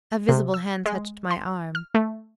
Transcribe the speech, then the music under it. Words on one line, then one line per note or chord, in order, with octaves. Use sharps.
A visible hand touched my arm.
C3
E6
G#3
C6
F6
A3